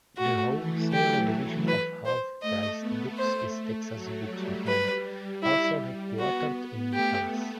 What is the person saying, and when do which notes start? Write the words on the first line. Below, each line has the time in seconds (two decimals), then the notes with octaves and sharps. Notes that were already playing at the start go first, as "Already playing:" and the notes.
The wholesale division of Half Price Books is Texas Bookman, also headquartered in Dallas.
0.18 A3 F#4
0.56 E3
0.92 F#3 G4
1.68 B4
2.06 C5
2.42 A3 D#5
2.81 B3
3.18 A3 C5
3.92 F#3
4.31 G3
4.67 B4
5.43 E4
6.18 B3 F#4
6.56 B3
6.93 A3 G4